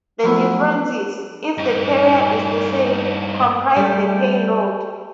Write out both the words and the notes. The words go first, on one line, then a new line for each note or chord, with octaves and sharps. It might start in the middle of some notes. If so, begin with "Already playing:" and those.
The differences, if the carrier is the same, comprise the payload.
F3 F#3 A3 B3 E4 F#4
G2 D#4
G3 A3